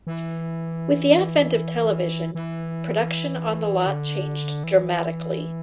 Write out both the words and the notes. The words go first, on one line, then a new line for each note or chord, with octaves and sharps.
With the advent of television, production on the lot changed dramatically.
E3
E3
D3
E3